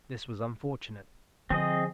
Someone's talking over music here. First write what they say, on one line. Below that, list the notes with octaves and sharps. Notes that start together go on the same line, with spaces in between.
This was unfortunate.
D3 F3 C4 G#4 D#5